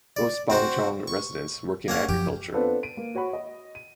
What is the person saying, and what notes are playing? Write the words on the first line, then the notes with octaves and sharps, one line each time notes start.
Most Bang Chang residents work in agriculture.
D5
C4 F#4 C5
C#6
A#3 C#4 F#5
F#2 F3 G4
B3 C4 D4 F4 A4 B4
D7 D#7
A#3
F#4 C#5 F#5 B5 C#6
D#5
D#7